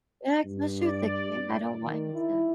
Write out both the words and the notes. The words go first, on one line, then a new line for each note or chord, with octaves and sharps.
Yeah, especially with a kid. And I don't want him to
G2
D5
D#3
E4